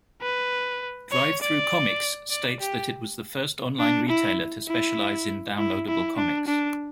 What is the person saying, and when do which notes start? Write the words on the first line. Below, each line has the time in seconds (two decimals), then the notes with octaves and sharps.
DriveThruComics states that it was the first online retailer to specialize in downloadable comics.
0.22 B4
1.12 C#5
1.41 D5
2.30 D5
2.60 G4
3.79 D4
4.09 E4
4.68 E4
5.58 E4
5.88 E4
6.17 D4
6.47 D4